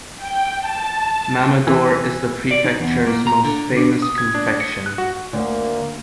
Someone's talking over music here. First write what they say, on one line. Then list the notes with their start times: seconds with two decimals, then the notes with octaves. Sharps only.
Mamador is the prefecture's most famous confection.
0.17 G5
0.59 A5
1.67 E3
2.51 D5
2.64 D#4
2.80 E2
3.07 A#3
3.27 A#5
3.45 D3
3.77 D4
4.02 D#6
4.18 G#6
4.35 D4
4.48 D4
4.61 C#7
4.86 F#6
4.98 F#4
5.33 D2 A#3